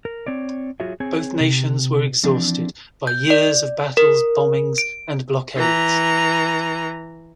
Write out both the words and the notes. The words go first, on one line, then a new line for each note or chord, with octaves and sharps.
Both nations were exhausted by years of battles, bombings and blockades.
A#4
C4 C#5 D5
F#3 F4 F#4 G#4 C#5 E5
C4 G#4 C#5 G#5
C3
E3 F3 C4 D4
G6
D5
A#4
D7
E3 A#5